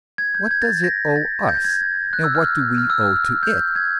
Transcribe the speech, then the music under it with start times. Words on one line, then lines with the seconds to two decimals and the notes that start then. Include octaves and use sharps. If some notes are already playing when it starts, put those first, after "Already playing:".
What does it owe us, and what do we owe to it?
0.18 G#6
0.35 G6
0.46 G6
0.51 G#6
0.62 A6
0.84 A#6
1.16 A6
1.49 G6
1.65 G#6
2.13 F#6
2.24 E6
2.35 F6
2.78 F6
2.90 E6
3.01 F6
3.43 G6
3.76 G#6